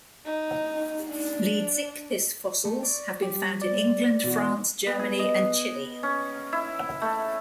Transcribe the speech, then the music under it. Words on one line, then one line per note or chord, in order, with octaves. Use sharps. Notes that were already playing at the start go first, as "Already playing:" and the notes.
"Leedsichthys" fossils have been found in England, France, Germany and Chile.
D#4
D4
A3
D5 C#6
G3 G4
D5
B2 E3 F#4
B3
G#4
D#5
C#4
E4
A3